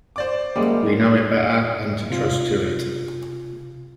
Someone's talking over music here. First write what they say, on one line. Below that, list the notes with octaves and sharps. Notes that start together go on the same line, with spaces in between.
We know it better than to trust to it.
C5 D5 D6
F#2 G3 G#3 A#3
C3 F4